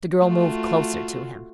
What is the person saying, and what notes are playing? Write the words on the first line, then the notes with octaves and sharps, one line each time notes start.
The girl moved closer to him.
A3 F4 F#4